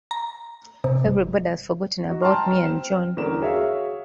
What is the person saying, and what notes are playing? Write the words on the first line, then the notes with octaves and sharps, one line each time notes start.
Everybody has forgotten about me and John.
A#5
C3
G1
D#4 F#4
G5 A5 A#5 C6 F6
C4 E7
E2 D3 G3 C#4 A#4 E7
F#4 G#4 C#5 E5 F5